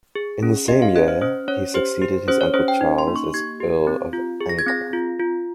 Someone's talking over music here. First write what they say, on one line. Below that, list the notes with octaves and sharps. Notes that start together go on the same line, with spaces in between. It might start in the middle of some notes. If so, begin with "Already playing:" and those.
In the same year, he succeeded his uncle Charles as Earl of Ancram.
G#4
C#4
G4 D#5
F5
C#4 D#5
C5
C#4 C5
C#4 C#5
G4 C5
G4
C#4 C5
C#5
C#4 C5
G5
D#4
C6
A#3
C#6
G4 G#6
G4
C4
F4
G#4
A#6
G#6
C4 A#6
F4
F4